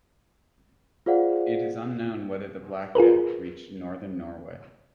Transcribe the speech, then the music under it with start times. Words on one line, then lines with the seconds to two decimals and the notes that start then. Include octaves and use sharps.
It is unknown whether the Black Death reached Northern Norway.
1.06 F4 G#4 C5 D5 F5 F#5
2.95 F4 G#4 A#4 B4